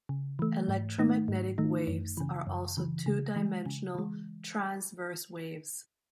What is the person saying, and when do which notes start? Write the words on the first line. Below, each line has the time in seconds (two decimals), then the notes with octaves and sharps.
Electromagnetic waves are also two-dimensional transverse waves.
0.09 C#3
0.39 E3 A3
0.68 G#2
0.99 D#3 A3 D#4
1.28 G#2
1.58 D#3 A3 D#4
1.87 F#2
2.17 C#3 E3
2.47 F#2
2.77 C#3 E3
3.06 C#3
3.36 E3 G#3
3.66 C#3
3.95 E3 G#3